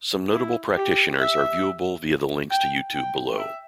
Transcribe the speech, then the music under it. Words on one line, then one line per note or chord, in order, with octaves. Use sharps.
Some notable practitioners are viewable via the links to YouTube below.
E4
G4
E5
G5
G5
E5